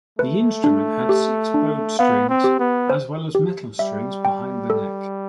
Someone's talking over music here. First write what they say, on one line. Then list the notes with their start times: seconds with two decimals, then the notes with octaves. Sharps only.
The instrument had six bowed strings as well as metal strings behind the neck.
0.19 A3 B4
0.64 D4
1.09 G4
1.54 D4
1.99 B3 F5
2.29 C4
2.44 G4
2.59 B3
2.90 C5
3.35 G4
3.79 G3 E5
4.25 G5
4.70 A4